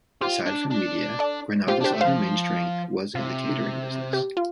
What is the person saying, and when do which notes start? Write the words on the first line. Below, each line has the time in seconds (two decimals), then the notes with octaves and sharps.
Aside from media, Granada's other main strength was in the catering business.
0.21 F4 G4 C5
0.45 D4
0.70 D4
1.19 A4 D5
1.68 F4 G4 C5
1.80 D4
1.84 G4 C5
1.93 A3
2.01 F3 C5 F5
3.15 C3 F4
4.13 G4
4.37 F4